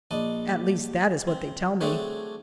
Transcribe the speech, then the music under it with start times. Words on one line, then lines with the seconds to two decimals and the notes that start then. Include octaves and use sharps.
At least that is what they tell me.
0.11 A#1 D4 D#5
1.27 C4
1.81 A3 C4 D4 F#4 G#4 C#5